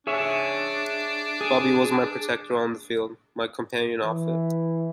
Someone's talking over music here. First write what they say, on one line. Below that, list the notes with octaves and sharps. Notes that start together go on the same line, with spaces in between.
Bubby was my protector on the field, my companion off it.
D4 G#4 C#5 E5
G#4
E3